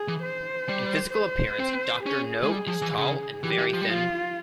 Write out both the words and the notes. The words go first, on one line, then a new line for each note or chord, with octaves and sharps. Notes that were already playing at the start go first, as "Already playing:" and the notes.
In physical appearance Doctor No is tall and very thin.
Already playing: G#4
E3
C5
G3
C5
C4
C#4 G#4
G#3
G3
F3
E3
C#3
E3 G4
E3
F3
G3
F3 F4